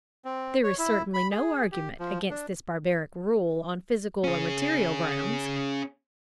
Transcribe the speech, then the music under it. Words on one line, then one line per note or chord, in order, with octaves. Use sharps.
There is certainly no argument against this barbaric rule on physical or material grounds.
C4
C#5
E4
B5
G#4
G4
F3
D4
C#4 G#4